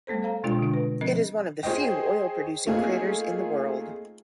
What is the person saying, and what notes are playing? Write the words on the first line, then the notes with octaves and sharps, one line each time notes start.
It is one of the few oil-producing craters in the world.
G3 A3 B3 A4 C5
A4 C5 F5 A#5
B2 G#3 D4 F4 D5 G5
D3 D4
B4
F3 C4 A#4 D#5
G#4 C5 C#5 D#5 G5
A3 A#3 C4 D#4 F4 G#4